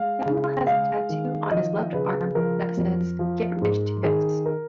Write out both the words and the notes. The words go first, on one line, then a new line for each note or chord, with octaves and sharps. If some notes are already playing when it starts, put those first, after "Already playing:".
Samuel has a tattoo on his left arm that says Get Rich To This.
Already playing: G#3 F5
C#3
G#3 F5
D#3
F3 D#5
C#3 B4
F3 A#4
F2
F3
G#2
D#3 G#4
A#4